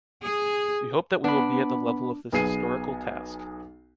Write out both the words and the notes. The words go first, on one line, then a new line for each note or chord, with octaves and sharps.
We hope that we will be at the level of this historical task.
G#4
B3 D4 B5
B1 B3 G#4 G#5 C7 D#7